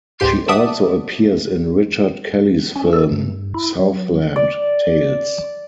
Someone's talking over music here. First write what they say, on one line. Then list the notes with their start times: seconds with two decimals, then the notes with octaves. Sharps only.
She also appears in Richard Kelly's film "Southland Tales".
0.20 C#2 G#2 G4 C6
0.48 D5 E5 F#5 A5 D6 D#6
2.76 C#4
2.93 A4
3.12 G2
3.54 E4
3.79 F#3
4.36 D5